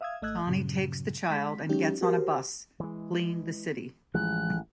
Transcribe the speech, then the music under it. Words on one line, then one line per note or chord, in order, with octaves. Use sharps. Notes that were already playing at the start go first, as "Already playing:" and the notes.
Tonny takes the child and gets on a bus, fleeing the city.
E5 F5 D#6 E6 G#6
G#1 A3 D#5 E6 F#6 G#6
G2 A#2 C#3 F#3
G#3 B6
F#3 G#3 C#4 D#4 G4
F#4 G4 A#4 C5
E3 G#3
A1 E3 F3 G#3 F#6